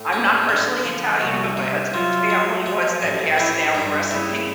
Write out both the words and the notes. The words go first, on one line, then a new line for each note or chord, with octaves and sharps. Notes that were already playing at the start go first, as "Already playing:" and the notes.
I'm not personally Italian, but my husband's family was, that passed down the recipe.
Already playing: A2
C#4
D3
F3
C2 F#4
C3
F#3 F4
F#3
F3
A1
E3 E4
G2 D#4
C#3 E4